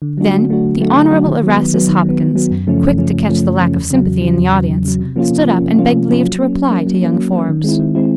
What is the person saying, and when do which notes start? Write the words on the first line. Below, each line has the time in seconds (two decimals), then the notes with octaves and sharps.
Then the Honorable Erastus Hopkins, quick to catch the lack of sympathy in the audience, stood up and begged leave to reply to young Forbes.
0.02 D3
0.17 F#3 A3 D4 F#4
0.34 D3
0.49 F#3 A3 D4 F#4
0.65 D3
0.79 F#3 A3 D4 F#4
0.95 D3
1.11 F#3 A3 D4 F#4
1.26 D#3
1.42 F#3 B3
1.58 D#3
1.74 F#3 B3
1.88 D#3
2.05 F#3 B3
2.20 D#3
2.35 F#3 B3
2.51 F#2
2.67 C#3 F3 A3 C#4
2.83 F#2
2.98 C#3 F3 A3 C#4
3.14 F#2
3.29 C#3 F3 A3 C#4
3.45 F#2
3.60 C#3 F3 A3 C#4
3.76 E2
3.90 C#3 F#3
4.06 E2
4.22 C#3 F#3
4.38 E2
4.53 C#3 F#3
4.69 E2
4.85 C#3 F#3
4.99 C3
5.16 F3 A#3 C#4 F4
5.30 C3
5.46 F3 A#3 C#4 F4
5.63 C3
5.78 F3 A#3 C#4 F4
5.93 C3
6.09 F3 A#3 C#4 F4
6.24 F#3
6.39 A#3 C#4
6.55 F#3
6.71 A#3 C#4
6.87 F#3
7.02 A#3 C#4
7.17 F#3
7.33 A#3
7.38 C#4
7.49 D#3
7.64 G#3 C4 E4
7.79 D#3
7.95 G#3 C4 E4